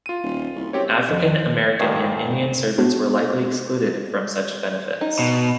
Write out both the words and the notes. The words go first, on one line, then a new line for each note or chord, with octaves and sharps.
African-American and Indian servants were likely excluded from such benefits.
F4 D#7
D#1
C2
F#2 C4 G4 C#5
F2
D2 G2 A#2 D#3
B3 D4 F#4
D#4
B2